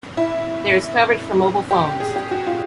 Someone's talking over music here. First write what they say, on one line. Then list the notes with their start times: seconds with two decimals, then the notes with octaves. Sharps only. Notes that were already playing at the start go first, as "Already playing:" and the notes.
There is coverage for mobile phones.
0.17 E4
1.71 G4
2.00 G#4
2.16 G4
2.31 F#4
2.47 F4